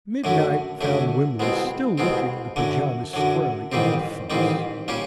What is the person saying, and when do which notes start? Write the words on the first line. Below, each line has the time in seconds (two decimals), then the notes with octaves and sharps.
Midnight found Wimley still looking the pajamas squarely in the fuzz.
0.24 F#2 D3 F#3 A3
0.81 F#2 D3 F#3 A3
1.40 C2 B2 G#3 C4
1.98 C2 B2 G#3 C4
2.56 F#2 D3 F#3
3.13 F#2 D3 F#3
3.72 A1 G#2 D#3 G3 C4
4.30 A1 G#2 D#3 G3 C4
4.88 A#2 G3 A#3 C#4